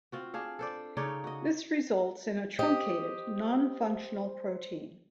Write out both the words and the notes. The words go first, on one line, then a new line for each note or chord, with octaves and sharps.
This results in a truncated non-functional protein.
C4 F4 F#4
D4 G#4 F5
A4 C5 D5
C#3 D#4 C#5 D5
F#4 D#5
G4 C5 D#5